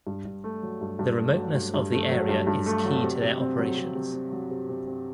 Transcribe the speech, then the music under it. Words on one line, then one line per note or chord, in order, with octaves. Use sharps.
The remoteness of the area is key to their operations.
G2
G2
A3
F#3
G2
G2
A3
F#3
G2
G2
A3
F#3
G2
G2
A3
F#3
C3
C3
C4
F#3
C3
C3
C4
F#3
C3
C3
C4